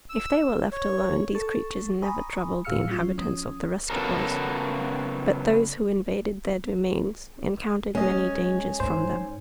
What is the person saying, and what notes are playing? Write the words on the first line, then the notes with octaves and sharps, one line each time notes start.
If they were left alone, these creatures never troubled the inhabitants of the rest of Oz, but those who invaded their domains encountered many dangers from them.
E6
C#5
A4 C#6 A6
G#5 A#5 B5 C#6 D#6
A2 G#4 F5 E6 F6 C#7
F#3 C#4 F4
F3 C#4 D#6
C#3 F#3 B3 A4 A#4
G#3 C#4 D#5
G#2 C5